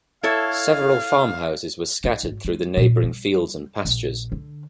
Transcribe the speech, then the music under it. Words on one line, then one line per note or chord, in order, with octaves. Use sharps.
Several farmhouses were scattered through the neighbouring fields and pastures.
E4 A4 C#5 F5
D#4
G#1
G#3
A#2
G3
A#1
D3